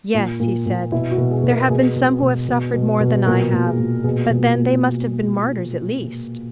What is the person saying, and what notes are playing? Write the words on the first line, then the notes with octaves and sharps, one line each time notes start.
"Yes," he said, "there have been some who have suffered more than I have, but then they must have been martyrs at least."
A#2
A#2
A#2
B2 E4
F#4
B2
G#4
B2
A#4
B2 G#4
B2
B2
B2
B2
B2
A#2 A#4
A#2
G#4
A#2
B2 G#4
B2